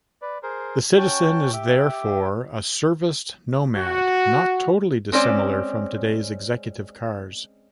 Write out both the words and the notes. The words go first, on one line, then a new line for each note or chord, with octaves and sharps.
The citizen is therefore a serviced nomad not totally dissimilar from today's executive cars.
B4 D5
G#4 A#4 C5
C#4 F#4 G5 A5
G4 E5 D6
F#4
G#3 C4 C#4 D5